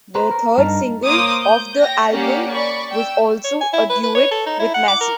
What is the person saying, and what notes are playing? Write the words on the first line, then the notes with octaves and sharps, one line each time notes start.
The third single off the album was also a duet with Massey.
B4 C5 A#5
A#4
G2 D#4 A#4 A5 A#5
A#3 C5 C#5 D6 D#6
G6
C#5 G5 A#6
A#3 C#4 G4 D5 F#5
D5 B5 C#6
G5 E6
C#5
G#5
E4
B4
B4
C#5
A4
D#4
E4
F#5
D6
A#4